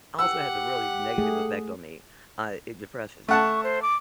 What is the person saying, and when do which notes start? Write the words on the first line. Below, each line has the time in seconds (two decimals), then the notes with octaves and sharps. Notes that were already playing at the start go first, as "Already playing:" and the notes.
also has a really negative effect on me, uh, it depresses me.
0.19 G4 F#5 E6
1.18 A3 G#4
3.29 A3 F#5 A5 C#6
3.64 C5
3.82 D6